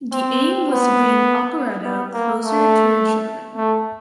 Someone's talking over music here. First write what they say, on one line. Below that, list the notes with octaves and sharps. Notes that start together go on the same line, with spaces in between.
The aim was to bring operetta closer to the children.
C4
B3
B3
A#3
A3
A3